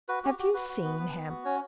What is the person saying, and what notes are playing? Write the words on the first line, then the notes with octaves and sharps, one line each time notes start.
Have you seen him?
F#4 B4
F#4 G4
F#4 G4
F#4 B4
F#4
B3
B3
B3
F#4
C#4 C#5